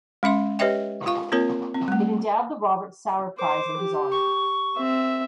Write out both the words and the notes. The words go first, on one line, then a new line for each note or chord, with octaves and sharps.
It endowed the Robert Sauer Prize in his honor.
G#3 C#4 E5 C6
G4 B4 C#5 D#5 E5 G5
F4 F5 C#6
A#3 C4 F4 A#4 C#5
C4
G3 A3
C5 D6
G4
C#6
C4 E5